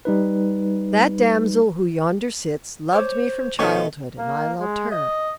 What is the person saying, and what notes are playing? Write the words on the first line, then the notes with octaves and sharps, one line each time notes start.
That damsel who yonder sits, loved me from childhood and I loved her.
G3 D#4 B4
C5 C#5 D6
B2 D#3 A3 C#5 C#6
A#3
G#3
D#5